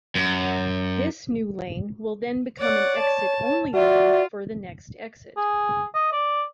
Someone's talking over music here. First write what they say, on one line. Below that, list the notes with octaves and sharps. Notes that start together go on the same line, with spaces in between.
This new lane will then become an Exit Only lane for the next exit.
F#2
C#5 D5 F#5
A5
F4 F#4 D5 E5
G#4
D#5
D5